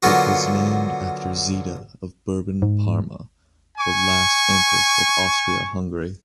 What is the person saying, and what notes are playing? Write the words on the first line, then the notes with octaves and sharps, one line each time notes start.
It was named after Zita of Bourbon-Parma, the last empress of Austria-Hungary.
D3 F#3 A#3 B3 F4 F#4
G#2
G#5 C#6